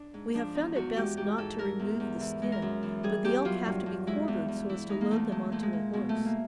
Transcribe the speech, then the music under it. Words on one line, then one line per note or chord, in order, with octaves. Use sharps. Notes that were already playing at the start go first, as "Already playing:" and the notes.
We have found it best not to remove the skin, but the elk have to be quartered so as to load them on to a horse.
Already playing: D4
G#2
F3 D4
E2 D#4
E2 F#4
G#3 G4
G#2 G4
G#2 A4
G#3 A#4
E2
E2
E3
G#3
A#4
F#2
E3
G3 G#4
E2 G4
F#3 F4
G2
G2
G#3 E4
E2
E2
E3 E4
G#3 D#4
A#3
E2 A3
G#3 A3
A#2 A3
G#3
A#2
B2 G#3
A3
G#3
A#3